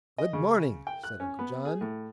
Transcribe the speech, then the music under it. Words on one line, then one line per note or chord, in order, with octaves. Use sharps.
"Good morning," said Uncle John.
D#5
C#3
G5
F#6
C#4
B3
G#4
A2